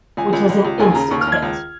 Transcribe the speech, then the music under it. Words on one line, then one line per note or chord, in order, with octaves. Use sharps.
Which was an Instant hit.
C#2 G#5
C#2
C#2
C#2
D#2 G#5
C#3 A#5
D#2 C#6
F6
D#2
G#6
C#2